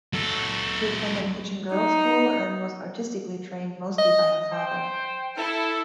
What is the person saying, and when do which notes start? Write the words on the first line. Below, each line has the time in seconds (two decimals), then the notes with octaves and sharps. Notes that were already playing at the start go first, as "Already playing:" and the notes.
She attended Hitchin Girls School and was artistically trained mostly by her father.
0.13 F#3 A4
1.74 D#4
3.98 D#5
4.51 C5 G5
5.37 E4 A4